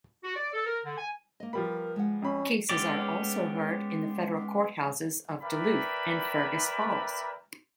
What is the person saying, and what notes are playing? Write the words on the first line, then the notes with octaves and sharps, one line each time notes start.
Cases are also heard in the federal courthouses of Duluth and Fergus Falls.
F#4
D5
A4
A#4
D3
G#5
A#3 D#5
F3 G3 B3 A#4 B5
G#3 F#5
F2 C#4 B5
G#3 B3 C#4 G4 D5
A#4 B4 D5 E5 G5 B5